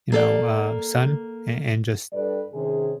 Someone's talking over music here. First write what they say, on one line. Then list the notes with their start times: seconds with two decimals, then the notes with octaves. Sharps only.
you know, uh, son a and just
0.12 A#3 A4 D5
2.13 G2 G3 A4 B4 D5
2.52 C3 D#3 C#4 G#4